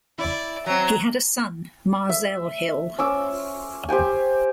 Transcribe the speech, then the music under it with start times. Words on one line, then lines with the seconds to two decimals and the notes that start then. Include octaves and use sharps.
He had a son, Marzell Hill.
0.18 E4 D5
0.66 F#3 C4 A#5
2.09 E5
2.99 C#4 D6 E6
3.89 G4 C5 G5 G#5